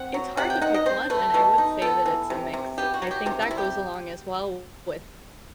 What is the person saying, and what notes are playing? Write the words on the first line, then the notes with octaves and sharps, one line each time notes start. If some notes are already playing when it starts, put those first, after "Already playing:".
It's hard to pick one, and I would say that it's a mix, I think that goes along as well with
Already playing: C4 F#5
F#3
C3 F#5
G5
D#4 F#5
D#5
C4 C5
A3 B4
B2 A4
D#4
B3 A4
E3
C3
C3
B3 G4
F#4
F#3
G4
C3 G4
E4
C3
G4